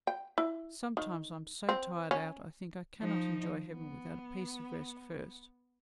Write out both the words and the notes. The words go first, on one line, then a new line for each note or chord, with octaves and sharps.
Sometimes I'm so tired out I think I cannot enjoy heaven without a piece of rest first.
G5
E4
D#3
C4
C#4
F3 D#4
B3